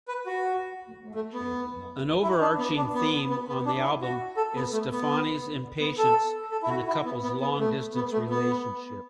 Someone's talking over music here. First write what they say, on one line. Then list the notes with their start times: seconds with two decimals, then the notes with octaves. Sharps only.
An overarching theme on the album is Stefani's impatience in the couple's long-distance relationship.
0.08 B4
0.26 F#4
1.15 A3
1.33 B3
2.23 E4
2.41 D4
2.58 B3
2.76 D4
2.94 B3
3.30 B3
3.48 B3
3.66 D4
3.83 E4
4.02 F#4
4.37 A4
4.55 B3
4.73 A3
4.91 B3
5.80 B3
5.98 A4
6.51 A4
6.63 E4
6.70 F#4
6.87 E4
7.05 B3
7.23 B3
7.41 B3
7.59 A3
7.95 B3
8.12 A3
8.30 B3